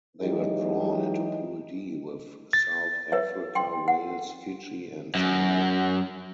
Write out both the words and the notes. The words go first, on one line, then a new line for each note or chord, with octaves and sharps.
They were drawn into Pool D, with South Africa, Wales, Fiji and Samoa.
E3 F#3 G#3 D#4 G4 D#5
A6
B4 C#5 E5
G5 C6
F#5
F#2